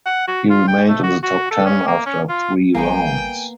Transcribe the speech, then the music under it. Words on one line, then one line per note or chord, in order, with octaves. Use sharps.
He remained in the top ten after three rounds.
F#5
F#4
F4
G5
A3
F#4
F#4
A4
C#4
A#3
C#4
F4
A1 G3 A#3 B3 G5 G#5 C7